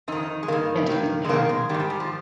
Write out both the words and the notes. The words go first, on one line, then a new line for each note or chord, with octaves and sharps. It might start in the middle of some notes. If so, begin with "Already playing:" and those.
And it didn't happen.
F2 D#3 D#4
G#3
G2 D#3 A#3
G2 D#3
G#3
F2 D#3 A#3
G#3
D#3 G3
G#2
G3
G3
F3